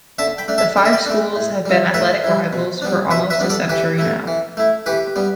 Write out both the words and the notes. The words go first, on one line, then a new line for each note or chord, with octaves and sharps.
The five schools have been athletic rivals for almost a century now.
D3 E5 A5
G5 B5
A3 D4
E5 A5
D3 G5
E5
D5 G5
A3 D4
A2
G3 E4
A2 B4 E5
G3 E4
B2
G3 B3 D4
B2 B4 E5
B4 E5
G3 B3 D4
A4 D5
E3 G4 B4
A3 E4
E3
A3 E4
E3 G4 B4
G3 B3